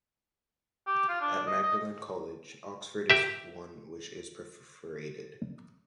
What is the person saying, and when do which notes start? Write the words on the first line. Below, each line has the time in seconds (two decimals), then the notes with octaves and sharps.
At Magdalen College, Oxford is one which is perforated.
0.87 G4
1.08 F4
1.21 D4
1.47 D#5
1.63 D#5
3.10 G4 E5